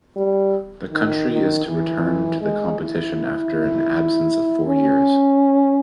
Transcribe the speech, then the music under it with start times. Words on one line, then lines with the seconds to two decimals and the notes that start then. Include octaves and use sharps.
The country is to return to the competition after an absence of four years.
0.16 G3
0.91 D#3
1.30 D#3
1.66 E3
2.41 G#3
2.80 E4
4.66 C#4